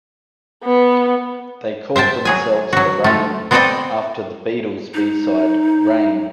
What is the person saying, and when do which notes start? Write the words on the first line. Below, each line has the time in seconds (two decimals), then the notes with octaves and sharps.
They called themselves The Rain, after The Beatles' B-side, "Rain".
0.64 B3
1.96 C5 E5 G5 A5
2.25 F#3 G#4 G#5
2.73 F#3 F#4
3.04 F3 A3
3.51 B3 C4 A4 D5 D#5 G5
4.94 D#4